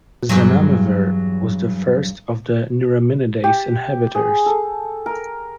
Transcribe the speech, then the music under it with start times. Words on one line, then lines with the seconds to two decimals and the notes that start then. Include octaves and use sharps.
Zanamivir was the first of the neuraminidase inhibitors.
0.29 E2 G2 F#3
3.44 G4
4.15 G#4
4.46 A4
5.06 A#4